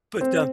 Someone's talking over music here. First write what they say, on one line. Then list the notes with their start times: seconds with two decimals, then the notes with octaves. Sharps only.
But, um
0.21 C4